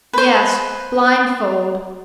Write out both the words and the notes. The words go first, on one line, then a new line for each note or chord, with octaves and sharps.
Yes; blindfold.
B4 C5